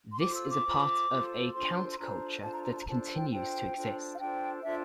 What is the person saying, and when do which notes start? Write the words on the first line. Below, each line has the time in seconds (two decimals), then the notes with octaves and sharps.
This is part of a counterculture that continues to exist.
0.12 C6
0.21 F4 A4 C5 D6
0.35 E6
0.50 D6
0.64 F4 A4 C5
1.09 F4 A4 C5
1.53 D4 F4 A4 C5 C6
1.92 C6
1.98 D4 F4 A4 C5 A#5
2.42 D4 F4 A4 C5 A5
2.53 A#5
2.64 A#5
2.75 A5
2.81 A#5
2.86 D4 F4 A4 C5 A5
3.16 G5
3.31 D4 F4 A4 C5 G5
3.75 D4 F4 A4 C5
4.14 F5
4.19 D4 F4 A4 C5 G5
4.63 D4 F4 A4 C5 E5